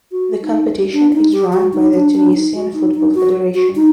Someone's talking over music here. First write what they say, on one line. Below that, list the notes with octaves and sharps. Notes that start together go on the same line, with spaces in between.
The competition is run by the Tunisian Football Federation.
F#4
D#4
D4
D#4
G4
F#4
D#4
D4
D4
D#4
F#4
D#4
D#4
F#4
F#4
D#4